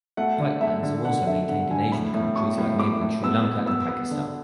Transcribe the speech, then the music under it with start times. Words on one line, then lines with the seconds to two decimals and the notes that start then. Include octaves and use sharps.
Pipe bands are also maintained in Asian countries like neighboring Sri Lanka and Pakistan.
0.17 A3 F#5
0.39 D3
0.61 A3 E5
0.83 D3
1.05 D3 F#5
1.27 D3 E5
1.49 D3 F#5
1.71 D3 G#5
1.92 A2 B5
2.14 A2
2.36 A2 C#6
2.58 A2
2.79 A2 D6
3.01 A2
3.23 B3 E6
3.44 B3
3.66 B3 E6
3.89 B3
4.11 D3